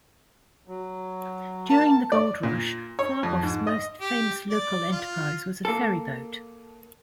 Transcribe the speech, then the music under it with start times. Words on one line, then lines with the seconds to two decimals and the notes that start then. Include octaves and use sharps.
During the Gold Rush, Firebaugh's most famous local enterprise was a ferry boat.
0.68 F#3
1.69 A#3 A5
2.12 D5
2.43 A#2
2.99 C#5
3.23 F2
3.43 G#2
3.67 D#5
4.00 G4
4.50 D5
4.92 F4
5.65 A#3 A4